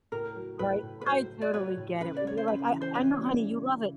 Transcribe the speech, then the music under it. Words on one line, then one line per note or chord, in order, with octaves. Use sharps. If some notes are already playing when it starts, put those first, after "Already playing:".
Right, I totally get it when you're like, "I I know, honey, you love it.
A2 A#4
F#3
A2 B4
A2
B4
F#3 C5
A2
D5
F#3 B4 C#5
A2
C#3 B4
D5
C#3 C#5
C5
C#3 B4
E3 B4
C5
E3 B4 C#5
G3
C#3
C#3